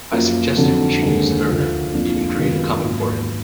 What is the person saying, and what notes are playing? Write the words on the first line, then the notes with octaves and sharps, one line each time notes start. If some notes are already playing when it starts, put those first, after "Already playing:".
I suggested we should use Werner, even create a comic for him.
F#2 F3 A#3
F2 D3 F#3
D#2 D3 G#3 D#4
D2 D3 F3
F2 F3 A#3 D4 F4
F#2 D#3 G#3 B3 F4
G#2 F#3 A#3 D#4